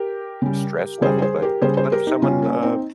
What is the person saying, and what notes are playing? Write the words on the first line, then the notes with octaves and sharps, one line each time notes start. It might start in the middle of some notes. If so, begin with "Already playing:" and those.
stress level, but but if someone, uh,
Already playing: G4 A#4
C#3 G3
C#3 G3 G#4 C5
G#4 C5
G4 A#4
C#3 G3 G#4 C5
G#4 C5
G4 A#4
D#4 G4
C#3 G3 C#4 F4
A#3 C#4
C4 D#4